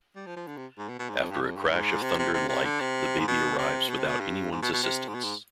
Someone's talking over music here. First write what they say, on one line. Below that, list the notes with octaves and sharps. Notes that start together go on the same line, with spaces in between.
After a crash of thunder and light, the baby arrives without anyone's assistance.
G3
F3
F3
D3
C3
G#2
B2
B2
G#2
F2
G2
F2
G2
G#2
C3
C3
C3
C3
D3
C3
G#2
B2
C3
B2
C3
B2
G2
G#2
B2
B2
C3
G#2
B2
G#2